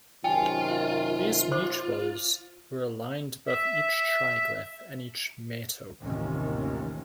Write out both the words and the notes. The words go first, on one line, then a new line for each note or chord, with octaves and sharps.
These mutules were aligned above each triglyph and each metope.
F#2 C3 D#3 F4 G5 G#5
C5 C6 D6
E5
A1 D#2 C3 D#3 F3 C#4